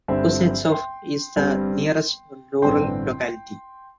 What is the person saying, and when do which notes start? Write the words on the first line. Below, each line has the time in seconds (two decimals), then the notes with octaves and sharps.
Kuznetsov is the nearest rural locality.
0.08 G1 G2 D3 G3 C4 C5 E5
0.72 G5 C6
1.36 G1 G2 G3 C4
2.62 A1 G2 D3 C4 G5 C6